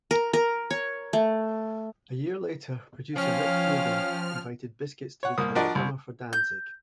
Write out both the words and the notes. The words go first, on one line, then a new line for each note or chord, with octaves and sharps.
A year later, producer Rick Rubin invited Biscuits to become the drummer for Danzig.
A#4
A#4
C#5
A3
F3 C#4 C#5 F5 G5 F6
C#5 F#5
C2 A#3 D#6
F3 D4 F#4 A#4 D5 D#5
C2
G6